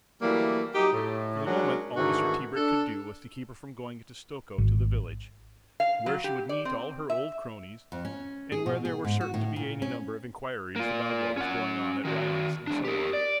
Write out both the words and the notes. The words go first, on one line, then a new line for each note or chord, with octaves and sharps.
For the moment all Mr. Tebrick could do was to keep her from going into Stokoe to the village, where she would meet all her old cronies and where there were certain to be any number of inquiries about what was going on at Rylands and so on.
E3 F#3 G3 A3 A#3
F#3 G3 D#4 G4
A2
F#3 G#3 C#4 D4 F#4 A#4
G#2 D#3 E3 A3 D4 F#4
D4 A4
G#1
F5
F#3
G4
D5
C4
E5
F2
C#4
G#4
B2
G#4
G#2
F#4
A2
A#2
C#4
A#3 F4
C#4 F#5
D#3 F#4
E2 D4
G4 A#4
D5